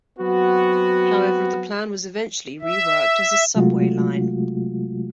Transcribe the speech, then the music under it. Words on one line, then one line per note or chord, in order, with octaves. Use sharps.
However, the plan was eventually reworked as a subway line.
F#3 B3 C4 F#4
E5
C3 F#3 G#3 A3 F4 F#4